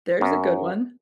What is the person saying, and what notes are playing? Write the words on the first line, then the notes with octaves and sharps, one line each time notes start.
There's a good one.
F#2